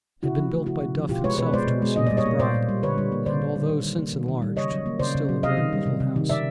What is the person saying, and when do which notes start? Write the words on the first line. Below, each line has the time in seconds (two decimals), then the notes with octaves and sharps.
It had been built by Duff himself to receive his bride, and although since enlarged, was still a very little house.
0.23 C#3 E4 F#4
0.38 F3
0.52 A3
0.66 C#3 E4 F#4
0.81 C#3
0.95 F3
1.09 B2 F4 G4
1.24 G#3 B4 C#5
1.38 B2 B4 C#5
1.52 G#3 C5 D5
1.67 B2
1.82 G#3
1.96 A#2 D#5
2.06 G3 D5
2.17 C#5 D#5
2.26 A#3
2.39 A#2 C5 D5
2.54 A#2
2.69 G3
2.83 D3 B4 C#5
2.98 G3
3.12 A#3
3.26 D3 C5 D5
3.41 D3
3.55 G3
3.70 D#3
3.84 G3
3.98 A#3
4.13 D#3
4.28 D#3
4.42 G3
4.56 C#3 C#5 D#5
4.71 F#3
4.86 A#3
4.99 C#3 C5 D5
5.15 C#3
5.29 F#3
5.43 C3 D#5 F5
5.57 D#3
5.73 G3
5.86 C3
6.00 C3
6.16 D#3
6.30 C#3 D5 E5